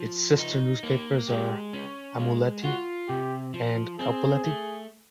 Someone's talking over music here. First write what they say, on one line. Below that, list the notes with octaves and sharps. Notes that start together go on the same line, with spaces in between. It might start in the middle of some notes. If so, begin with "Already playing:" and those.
Its sister newspapers are "Aamulehti" and "Kauppalehti".
Already playing: F3
D#4
A#3
G#3 G4
C#4
G#3 F4
F4 F#4
C3 G4
F3
C4 G#4
A3